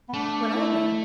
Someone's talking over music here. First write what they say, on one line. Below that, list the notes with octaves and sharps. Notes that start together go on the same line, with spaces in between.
"What are they?"
B3
A3 D4
D4
E4